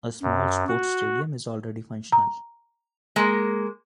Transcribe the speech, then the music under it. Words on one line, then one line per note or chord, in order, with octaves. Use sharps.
A small sports stadium is already functional.
F#2
F#4
A#5
G#3 A#3